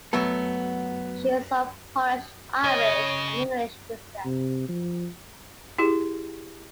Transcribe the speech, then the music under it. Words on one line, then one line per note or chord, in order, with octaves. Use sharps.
She is of Polish, Irish, and English descent.
F#3 A3 B3 A4
C#3 C#5 D#5
C3
F3
E4 G4 G#4